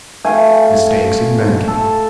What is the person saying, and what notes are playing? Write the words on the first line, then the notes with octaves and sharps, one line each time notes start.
Mistakes in Banking.
A3 F5 G5 G#5
A4